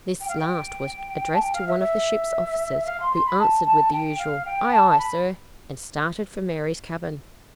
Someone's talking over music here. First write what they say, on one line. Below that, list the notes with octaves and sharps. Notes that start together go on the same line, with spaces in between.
This last was addressed to one of the ship's officers, who answered with the usual "Aye, aye, sir," and started for Mary's cabin.
G5
F5
G5
G5
A5
G5
F5
E5
E5
F5
C6
C6
B5
A5
A5
G5
F5
G5
A5
A5
B5